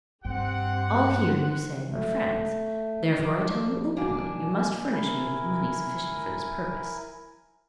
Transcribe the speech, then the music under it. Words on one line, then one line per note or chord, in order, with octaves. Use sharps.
All here you say are friends; therefore I tell you openly, you must furnish me with money sufficient for this purpose.
G2 C4 G4 F#5
A3
F3 D4
B2 A#3 D4 G#5
E4 A#4 G#5